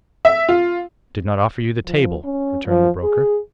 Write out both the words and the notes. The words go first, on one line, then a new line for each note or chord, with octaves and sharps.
"I did not offer you the table," returned the broker.
E5
F4
F3
C#4
F3
G#4